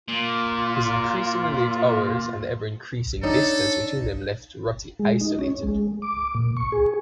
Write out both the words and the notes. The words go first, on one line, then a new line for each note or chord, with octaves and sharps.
His increasingly late hours and the ever-increasing distance between them left Ruttie isolated.
A#2 F4
D4 D#4 A4 C#5
G#3
D#4
C#4
G#3
D6
A#2
C#6
G#4